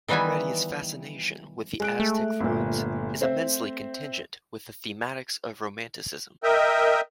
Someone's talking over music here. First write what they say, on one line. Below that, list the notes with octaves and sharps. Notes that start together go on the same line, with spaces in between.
Heredia's fascination with the Aztec Ruins is immensely contingent with the thematics of Romanticism.
D#3 E3 G3 B3 E5 G#5
G#3 F#6 D7
A3
G1 A#2
C4 C5 E5
A#4 D#5 E5 G5